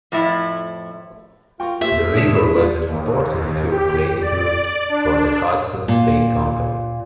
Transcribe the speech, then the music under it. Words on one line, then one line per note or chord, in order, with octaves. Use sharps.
The river was an important fur trading route for the Hudson's Bay Company.
F2 A2 E4
F4 F#4 A#4 G5 C#6
A#2 A3 G4 A4 C5 E5
G#2 D4 C#5 D5 D#6 B6 E7
F3 B5
G#3 B3 F4 D5
D#2
G4
D5
D4
A#2